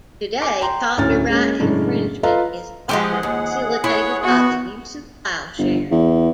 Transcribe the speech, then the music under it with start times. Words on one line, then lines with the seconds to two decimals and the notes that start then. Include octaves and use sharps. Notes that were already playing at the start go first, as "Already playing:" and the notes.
Today copyright infringement is often facilitated by the use of file sharing.
0.42 G#5 D6
0.61 G5 A#5 C6
0.98 D2 A2 C#4 F6 A6
1.30 G#3 A#3 C#4
1.60 F#2 A2 C#3 G#3 D4
2.23 F4 A4 B4 D#5 F5 A#5
2.89 F3 G#3 G4 G#4 F#5
3.23 D#2
3.84 E4 C#5
4.24 B3 F#4
5.58 G1
5.91 E2